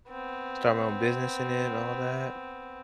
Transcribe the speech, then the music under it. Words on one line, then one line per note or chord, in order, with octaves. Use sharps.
Start my own business in it and all that.
B3 C4